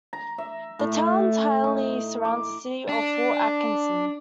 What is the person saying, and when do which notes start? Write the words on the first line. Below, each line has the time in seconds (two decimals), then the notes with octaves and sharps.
The town entirely surrounds the city of Fort Atkinson.
0.13 A#5
0.38 E5
0.79 A2
1.64 D#4
2.25 D6
2.89 D4